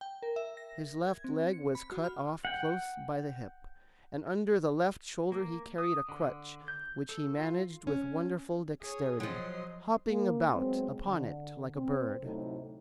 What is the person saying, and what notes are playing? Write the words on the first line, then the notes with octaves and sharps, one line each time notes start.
His left leg was cut off close by the hip, and under the left shoulder he carried a crutch, which he managed with wonderful dexterity, hopping about upon it like a bird.
G5
A#4
E5
A#6
G#6
C4
C#7
B5
F#4
F6
F#5 G5
A#3
D#6
D3
G6
A4
F4
C#4
G#4 C#5
F3 F#3 D#5 C6
A#3
F#3 G#3 B3 C4
D3
C4
D2 A2 C3 F#3 D#4 A4